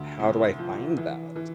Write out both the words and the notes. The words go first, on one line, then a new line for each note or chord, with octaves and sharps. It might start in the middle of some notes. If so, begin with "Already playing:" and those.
"How do I find that?"
Already playing: D2
C2
F3
E3
E3